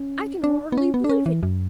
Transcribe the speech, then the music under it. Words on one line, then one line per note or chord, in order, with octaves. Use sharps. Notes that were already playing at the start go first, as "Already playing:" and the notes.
I can hardly believe it!
Already playing: C#4
D4
B3
C#4
B3
D4
C#4
E3
F#2